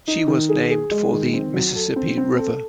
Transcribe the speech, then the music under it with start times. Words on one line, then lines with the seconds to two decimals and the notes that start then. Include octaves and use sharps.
She was named for the Mississippi River.
0.07 D#4
0.28 D#3
0.49 G#4
0.70 G#4
0.91 G#3
1.12 D#3
1.33 C4
1.54 F#3
1.75 A4
1.96 C4
2.17 C4
2.38 A4